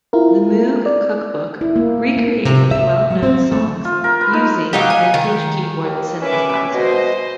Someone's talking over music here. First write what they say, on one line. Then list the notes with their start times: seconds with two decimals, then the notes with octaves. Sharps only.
The Moog Cookbook recreated well-known songs using vintage keyboard synthesizers.
0.13 E4 F4 A#4
0.86 D5
1.61 E4
1.76 A#3
2.17 A#3
2.45 C3
2.71 E5
3.10 F#3
3.23 C4
3.52 A3
3.85 F4
4.04 A#4
4.21 B4
4.33 D#4
4.73 F#3 D#4 G4 F5
4.90 G#5
5.14 D#3
5.83 D#2
6.22 C#4 B4 E5 D6
6.74 B2 C5 D#5